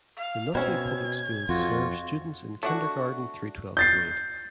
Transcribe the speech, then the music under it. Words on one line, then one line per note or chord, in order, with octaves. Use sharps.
The Nutley Public Schools serve students in kindergarten through twelfth grade.
F5
B2 C4 C#4 C5 G#6
F2 F4 F#4
A3 D4 F#4
G6 A6 C7